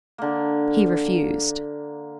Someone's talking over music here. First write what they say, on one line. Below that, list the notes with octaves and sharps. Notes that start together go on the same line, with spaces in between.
He refused.
D3 A#3